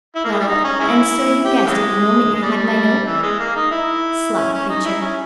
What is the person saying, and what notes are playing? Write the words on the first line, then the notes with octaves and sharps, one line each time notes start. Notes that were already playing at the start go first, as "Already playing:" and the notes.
Well, and so you guessed it the moment you had my note? Sly creature!
E4
A#3
G#3
G3
D#4
C#4
G#3 C#4 E4
G4
G4
C#3 E3 G#3
G#3
G3
E3
G#3
A#3
D#4
E4
C#4
C#4
D#4
E4
C#4